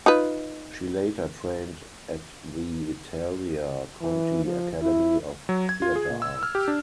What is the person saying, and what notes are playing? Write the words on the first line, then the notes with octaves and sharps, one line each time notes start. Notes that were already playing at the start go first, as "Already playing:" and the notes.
She later trained at the Italia Conti Academy of Theatre Arts.
D#4 F4 B4
E3
F3
E4
F#3
G#6
F4
G#4
A#2
E6
F6
G4
D4